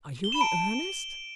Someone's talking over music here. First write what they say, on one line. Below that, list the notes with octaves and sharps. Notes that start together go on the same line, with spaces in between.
"Are you in earnest?"
G7
B5 E7
A5 D7